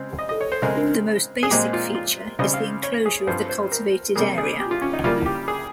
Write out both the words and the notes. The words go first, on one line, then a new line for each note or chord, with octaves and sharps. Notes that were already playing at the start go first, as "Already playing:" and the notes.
The most basic feature is the enclosure of the cultivated area.
Already playing: C#3 G#3 C4
D#5
D#5
C#5
C5
C#3 G#3 C4 A#4
G#4
A#2 G#3 C4 G4
F4
F4
C#3 G3 C4 D#5
F5
C#5
G#4
G2 F3 C4 C5
C5
A#4
C3 G3 A#3 G#4
G#4
G4
F4
C#4
D#4
C#3 G3 A#3 F4
G4
G#4